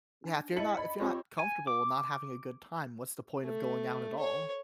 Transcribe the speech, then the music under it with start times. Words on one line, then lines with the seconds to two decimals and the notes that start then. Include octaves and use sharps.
yeah, if you're not if you're not comfortable and not having a good time, what's the point of going out at all?
0.24 D4 D#4
0.57 E4 D#5 A5 C#7 F#7
0.77 D5 D#5 B5
1.00 C4 F4 G4 C#5 D6
1.39 G#5
1.67 D6
3.43 A3
4.19 C#5